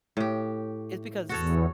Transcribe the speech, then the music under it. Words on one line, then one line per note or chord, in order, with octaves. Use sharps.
Is because
A2 G4
E2 F#4 A4 C#5